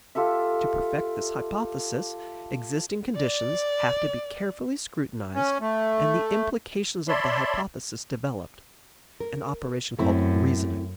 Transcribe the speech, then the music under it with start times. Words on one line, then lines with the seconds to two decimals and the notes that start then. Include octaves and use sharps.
To perfect this hypothesis, existing conditions have to be carefully scrutinized and the implications of the hypothesis developed--an operation called reasoning.
0.15 F4 G4 A4 E5
3.15 D5
5.35 C#4
5.60 A3
7.08 C#5 D5 E5 A5 B5 C6
9.20 A#4
9.99 F#2 A3 C4 E4